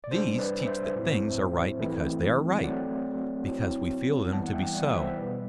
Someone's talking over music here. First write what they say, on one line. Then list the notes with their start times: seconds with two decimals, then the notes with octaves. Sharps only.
These teach that things are right because they are right; because we feel them to be so.
0.04 D5
0.11 C3 G3 D4 C5
0.39 B4 D5
0.67 C5 E5
0.96 A2 F#3 C4 E4
1.79 E3 A3 C4 E4
2.63 F#3 A3 C4 D5 F#5
3.48 F#3 C4 E4
4.32 E3 G3 B3 E4 F#5 A5
4.47 F#5
4.53 E5 G5
4.74 D5 F#5
4.95 C5 E5
5.08 E5
5.16 B2 G3 B3 B4 D5